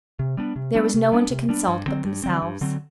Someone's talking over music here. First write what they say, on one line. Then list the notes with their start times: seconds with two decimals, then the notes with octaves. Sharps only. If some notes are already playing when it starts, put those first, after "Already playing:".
There was no one to consult but themselves.
0.19 C3
0.37 G3 B3 D4
0.56 C3
0.75 G3 B3 D4
0.94 C3
1.12 G3 B3 D4
1.30 C3
1.49 G3 B3 D4
1.68 G2
1.86 D3 F#3 C4
2.05 G2
2.24 D3 F#3 C4
2.42 G2
2.61 D3 F#3 C4